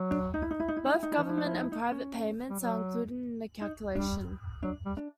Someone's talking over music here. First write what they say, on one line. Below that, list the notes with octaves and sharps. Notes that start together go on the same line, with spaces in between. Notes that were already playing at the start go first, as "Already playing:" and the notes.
Both government and private payments are included in the calculation.
Already playing: F#3
D4
D#4
E4
D#4
E4
D#4
E4
D#4
E4
D#4
E4
E3 D#4
F3
E4
D#4
E4
D#4
E4
D#4
C#4
G3
F#3
D#4
G3 D4
F#3 D4
G3
D4